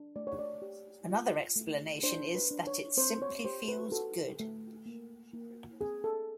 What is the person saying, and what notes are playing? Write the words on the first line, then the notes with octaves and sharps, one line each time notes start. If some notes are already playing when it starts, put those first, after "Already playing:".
Another explanation is that it "simply feels good".
Already playing: D4
A3 D5
C#5
D5
G4
F4
A3
D4 C5
B4
D4
C#5
C4 C5
C#5
G4 C5
B4
F#4 A4
A3
A#3
A#3
C4 G#4
A4